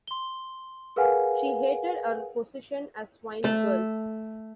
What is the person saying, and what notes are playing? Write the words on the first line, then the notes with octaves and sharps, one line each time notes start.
She hated her position as swine-girl.
C6 G7
G#4 A#4 B4 F5 F#5 G#5
A3 A4